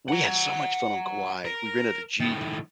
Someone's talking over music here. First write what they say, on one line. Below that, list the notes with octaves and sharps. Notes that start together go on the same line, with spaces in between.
we had so much fun on Kauai. We rented a jeep,
F#5 A#5
A#4
A2 D#3